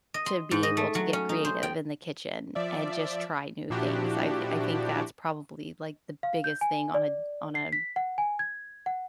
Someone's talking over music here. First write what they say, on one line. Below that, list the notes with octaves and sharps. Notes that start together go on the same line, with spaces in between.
to be able to get creative in the kitchen and just try new things, I've I think that's probably, like, the biggest thing on a on a
D#5
C6
G#2
D#5
A3
F#3
C#4
D#4
C5
G5
F3 D5 E5
A#2 F3 D4 E4 F#4 G4
F5
G6
G#5
D5
C7
B6
F#5
G#5
G#6
F#5